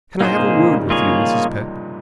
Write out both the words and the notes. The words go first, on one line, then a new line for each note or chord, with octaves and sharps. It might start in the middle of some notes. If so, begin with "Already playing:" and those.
"Can I have a word with you, Mrs. Pett?"
G2 A#2 A#3 D#4 G#4 C5
A#2
G#2 C3
A#2 C#3
G#3
D#3 G3
F3 G#3 A#3 F4 G#4 C#5
D#3 G3